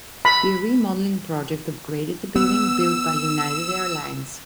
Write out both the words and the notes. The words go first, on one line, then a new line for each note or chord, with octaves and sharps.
The remodeling project upgraded the building built by United Airlines.
B5
B3 E6